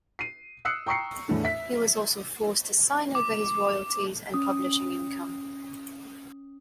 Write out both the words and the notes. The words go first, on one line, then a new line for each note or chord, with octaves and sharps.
He was also forced to sign over his royalties and publishing income.
C7 D#7
D#6 E6 F#6 C7 C#7
G5 A#5 C#6 E6 C7 C#7
E2 A2 A3 D4
E5 B6
D6
C#4 D#6